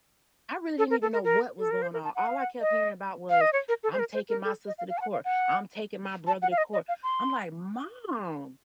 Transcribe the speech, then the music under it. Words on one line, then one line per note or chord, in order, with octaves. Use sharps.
I really didn't even know what was going on. All I kept hearing about was, "I'm taking my sister to court. I'm taking my brother to court." I'm like, "Mom,
A4
A#4
A4
A#4
A#4
A4
A#4
C5
A#4
A5
F#5
F5
F#5
D#5
F5
D#5
C#5
A#4
A4
C5
A#4
C5
A#4
A4
D#5
F5
F5
A5
F#5
F5
F#5
A5
F#5
F5
D#5
D#5
F5
C6